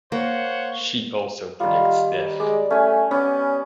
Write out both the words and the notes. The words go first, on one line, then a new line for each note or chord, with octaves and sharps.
She also predicts death.
A#3 C5 C#5 F#5
D#3 G3 F4
G#3 D5
A3 C#4 G#5
B3 C#4 G4